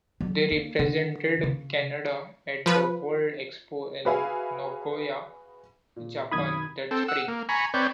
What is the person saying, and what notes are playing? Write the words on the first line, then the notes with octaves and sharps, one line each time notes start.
They represented Canada at the World Expo in Nagoya, Japan that Spring.
F#3
A#3
D3
C#3
F3 B4
F#4 G#4 B4 E5 F5 G#5
A#2
B1 F#2 D#3 B5 D#6 G#6
C4 A4
F#5 E6
A#3
G#5 A#5 B5 C#6
C4 B4 C#5 D5 G5